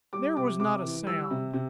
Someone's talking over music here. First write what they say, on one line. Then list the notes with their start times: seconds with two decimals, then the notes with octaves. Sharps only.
There was not a sound.
0.13 G3 D6
0.36 C3 D6
0.60 C3 D6
0.84 E3
1.07 G3 E6
1.30 C3
1.54 C3